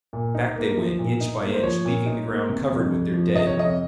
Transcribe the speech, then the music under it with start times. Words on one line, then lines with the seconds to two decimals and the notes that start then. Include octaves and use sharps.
Back they went, inch by inch, leaving the ground covered with their dead.
0.13 A#2
0.35 D#4
0.56 A#3
0.77 F3
0.99 A#2
1.21 D#4
1.42 A#3
1.54 C5
1.63 F3 C#5
1.85 A#2
2.06 D#4
2.28 A#3
2.49 C3
2.71 F2
2.92 F2
3.14 F3
3.35 C3 D#5
3.47 C#5
3.57 F2 D#5